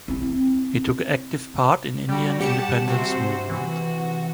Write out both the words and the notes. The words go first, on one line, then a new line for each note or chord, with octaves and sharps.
He took active part in Indian independence movement.
C4 E4
G3 F#4 G4
G4 F#5 A5 C#7
C3 F#4 C5
E3 F#4